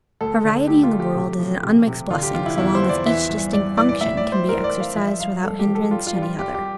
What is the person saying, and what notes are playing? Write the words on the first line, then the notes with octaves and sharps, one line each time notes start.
Variety in the world is an unmixed blessing so long as each distinct function can be exercised without hindrance to any other.
D2 A4
D3
A3 G4
F4
A3
G4
C3
F3
C3
C3
D3 F4
G4
F3 F4
E4
E2 E4
C5
E2
D5
E3 E5
G2
G2 D5
E3 D5
D5
A2 E5
D5
A2
C5
E3 A#4
D5
E3
F5
F3 E5
E5
G2 F5
G2 A4
G4
F3
A4
G3 F4
F4
G3
F4
G3 G4
G4